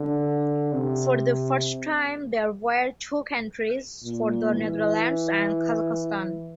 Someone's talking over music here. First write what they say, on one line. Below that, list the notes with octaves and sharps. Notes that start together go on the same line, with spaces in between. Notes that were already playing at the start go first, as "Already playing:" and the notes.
For the first time there were two entries for the Netherlands and Kazakhstan.
Already playing: D3
C3
A#2
E3